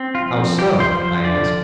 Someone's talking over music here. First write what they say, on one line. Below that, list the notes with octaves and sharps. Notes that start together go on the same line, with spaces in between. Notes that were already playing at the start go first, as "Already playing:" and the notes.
"How so?" I asked.
Already playing: C4
F4
F3
F3 G4
C5
F3
C5
D3 D5